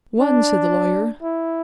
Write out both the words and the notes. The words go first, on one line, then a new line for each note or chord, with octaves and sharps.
"One," said the lawyer.
D4
E4